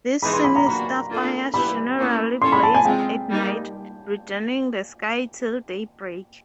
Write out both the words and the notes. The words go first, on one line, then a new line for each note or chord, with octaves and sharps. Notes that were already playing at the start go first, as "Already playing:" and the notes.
These sinister fires generally blazed at night, reddening the sky till daybreak.
E3 G#3 B3 D#4 G#4 B5
C6
B5
A#5
A#3 D4 F#4 B5
A#3 D4 F4 A4
G3 B3 E4 G4 B4 B5
A#3 C#4 E4
C#4 E4 A4 C#5 C6
B5
A5
G#5
G#3 C4 F4 G5
G3 A#3 D#4